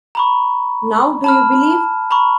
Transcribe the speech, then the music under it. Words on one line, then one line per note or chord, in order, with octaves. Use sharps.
Now do you believe?
A#5 B5 C#6
A5 B5 F6
A5
A#5 B5 C#6